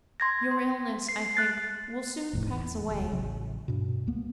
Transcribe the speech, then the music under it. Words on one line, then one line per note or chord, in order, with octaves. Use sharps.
Your illness, I think, will soon pass away.
C6 G#6 A#6
C6
C7
F#6 A6 C7
F1 E2 A2 F3
E2
E1 D2 G#3
A1 C#3 F#3
G2 B2
C#2 A#3 B3